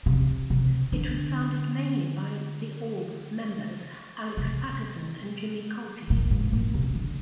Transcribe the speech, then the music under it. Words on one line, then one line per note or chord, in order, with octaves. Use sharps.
It was founded mainly by The Orb members Alex Paterson and Jimmy Cauty.
C3
C3
D3
C3
A#2
G#2
A#2
C3
D3